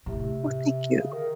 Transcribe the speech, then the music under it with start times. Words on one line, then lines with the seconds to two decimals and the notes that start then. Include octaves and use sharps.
Well, thank you.
0.06 A2 C3
0.97 C#3
1.12 D#3